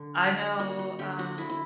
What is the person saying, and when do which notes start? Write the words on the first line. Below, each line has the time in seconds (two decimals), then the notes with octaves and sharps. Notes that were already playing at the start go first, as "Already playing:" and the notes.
I know, um,
Already playing: D3
0.21 F#3
0.60 A#3 F#4
0.79 F#4
0.99 D3 G4
1.19 F#4
1.38 D3 E4
1.50 E4